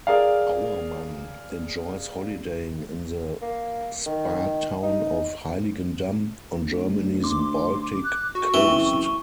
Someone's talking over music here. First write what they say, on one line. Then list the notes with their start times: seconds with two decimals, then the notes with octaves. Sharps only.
Auermann enjoys holidaying in the spa town of Heiligendamm, on Germany's Baltic coast.
0.07 G#4 A#4 D5 F5
3.42 A#3
4.06 D#3
4.83 D#4
6.65 D2
7.24 C6 D6
8.05 F#6
8.35 F#4 C#6
8.54 A1 E3 C4
8.75 F#1